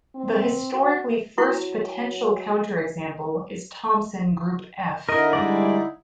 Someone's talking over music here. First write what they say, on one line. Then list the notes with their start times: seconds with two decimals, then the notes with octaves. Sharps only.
The historically first potential counterexample is Thompson group "F".
0.15 C4
0.73 F#4
1.38 F#3 E4 F#4 C#6
5.09 D3 D#4 E4 A#4 D#5
5.33 G3 G#3 D5